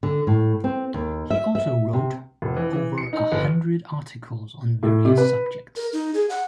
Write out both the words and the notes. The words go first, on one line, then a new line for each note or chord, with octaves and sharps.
He also wrote over a hundred articles on various subjects.
D3
A2
C4
D#2
E5
E5
C3
F1
E3
E3
C#7
D#4
G1
A2
C3
B4
A#4
D#4
G#4
F#5